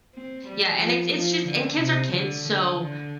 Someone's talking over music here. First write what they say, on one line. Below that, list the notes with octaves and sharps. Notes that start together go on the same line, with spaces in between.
yeah, and it's it's just a kids are kids, so,
C4
G3
F3
F3
D3
C3
D3
D3
D3